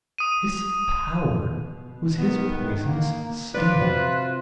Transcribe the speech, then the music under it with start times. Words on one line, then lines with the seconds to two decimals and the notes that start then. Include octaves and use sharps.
This power was his poisonous sting.
0.18 D#6 D#7
1.40 B2
2.18 B2 D#3 B3
2.86 A#3
3.54 F3 F4 B4 D5 F#6
3.80 C3 F#4